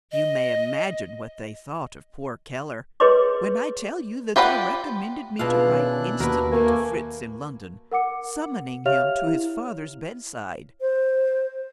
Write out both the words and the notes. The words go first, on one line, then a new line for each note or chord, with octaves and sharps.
You may imagine what they thought of poor Keller, when I tell you that they recommended me to write instantly to Fritz in London summoning him to his father's bedside.
D#5
G#4 B4 C#5 D#5 C6 D6
F4 G4 B4 D5 F#5
B2 D4 E4 F4 G#4 F5 F#6
D#3 C#4
D#2 F#4 A#4 B4
A3 A#3 G#5
A#4 F#5 D6 C#7
G4 C#5 E5 F5 F6 F7
E4
C5